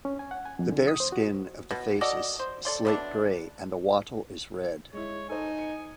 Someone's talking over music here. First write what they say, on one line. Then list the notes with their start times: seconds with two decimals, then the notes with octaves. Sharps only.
The bare skin of the face is slate gray and the wattle is red.
0.05 C#4
0.19 G#5
0.31 F#5
0.46 G#5
0.59 F2
0.72 D3
0.88 D#6
1.00 C5
1.12 F#4
1.71 B2
2.01 F#4 A4 D5 D#5
2.39 C5
2.65 A4 D5 C6
2.85 B2 A3 D4
4.93 G#3 E4 C#5
5.29 D#4 A4 C5 G#5
5.59 C#7